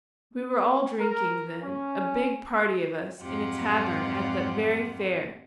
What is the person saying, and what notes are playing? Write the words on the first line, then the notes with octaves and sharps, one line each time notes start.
We were all drinking then, a big party of us, in a tavern at that very fair.
A#4
C#4
F2 G#2 F#3 F4 G4 F#5